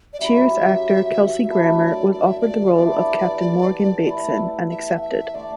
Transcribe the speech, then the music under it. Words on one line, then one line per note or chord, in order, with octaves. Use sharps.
"Cheers" actor Kelsey Grammer was offered the role of Captain Morgan Bateson and accepted.
D5
F#3 C#4 E4 G4 E5
F#2 D3 A3 E4 E5
E5
C#5
D5
D5
E5
D5
E3 B3 D4 G4
E3 A3 E4
E5
F#5
E5
D3 A3 D4 D5